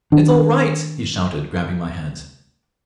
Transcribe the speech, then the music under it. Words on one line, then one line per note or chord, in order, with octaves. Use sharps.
"It's all right!" he shouted, grabbing my hands.
D#3 D4